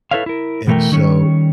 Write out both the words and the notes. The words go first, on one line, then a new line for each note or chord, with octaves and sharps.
and so
E4 A4 B4 C#5 E5 F5
E4 A#4
B2 E3 A3 C#4 A#4 G5
D#3 G3 C#4 A4 C#5